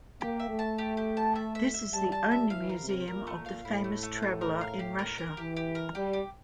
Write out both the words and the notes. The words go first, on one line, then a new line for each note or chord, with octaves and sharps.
This is the only museum of the famous traveler in Russia.
A#3 G4
E5
A3
A5
G4
G4
A5
E5
E5
E5
G3 A5
A5
E5
E3 F5
A#4
C3
A#4
A#2 A#4
A3
A#2
F5
A2 E4
A3
A3
A3
A#4
F5
G4
A#4
A#4
E3 G4
G4
A#4
G3 G4
G4